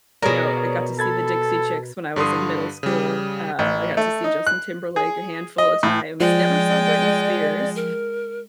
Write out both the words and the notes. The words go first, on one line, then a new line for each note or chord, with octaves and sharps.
you know, I got to see the Dixie Chicks when I was in middle school, um, I got to see Justin Timberlake a handful of times. Never saw Britney Spears,
B2 G#4 A#4 C#5 D5
A4 B5 G#6 A6
G2 D3 C6 D#6
C#3 G3
A1
A3
D#4
F#6
G#4
D#5
A2
F3 G#3 D5 G5
A#4